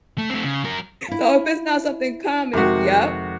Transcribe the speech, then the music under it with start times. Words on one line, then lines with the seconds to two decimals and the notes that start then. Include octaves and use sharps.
So, if it's not something common Yep,
0.18 A3
0.30 A3 C4
0.44 C#3
0.64 F#3 A#4
1.08 E4 F4
2.53 F2 C3 D#3 G#3 F#4